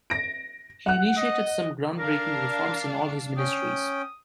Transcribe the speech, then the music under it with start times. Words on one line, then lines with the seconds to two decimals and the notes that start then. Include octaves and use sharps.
He initiated some ground breaking reforms in all his ministries.
0.10 A#6 D7
0.86 F#5 F#6
1.16 D#5
1.98 D4 A#4 F5
3.37 C#4 G5 D#6